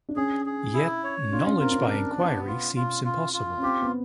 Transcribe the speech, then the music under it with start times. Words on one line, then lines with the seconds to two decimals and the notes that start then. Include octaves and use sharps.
Yet, knowledge by inquiry seems impossible.
0.09 D4
0.16 C#4 G#4
0.46 G#4
0.74 E4
1.04 C#5
1.32 D4 F4
1.46 C#4
1.59 C4 A#4
1.72 C#4
1.89 D4
2.18 B3
2.47 F4
2.75 F4
3.04 F4
3.33 F4
3.58 C#4
3.63 C4 G4
3.82 B3